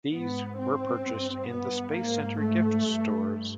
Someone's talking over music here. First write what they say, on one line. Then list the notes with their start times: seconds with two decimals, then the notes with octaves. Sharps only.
These were purchased in the Space Center gift stores.
0.12 G#2 B3
0.57 C4
1.02 G2
1.48 B3
1.92 G#2 A#3
2.38 A3
2.83 G2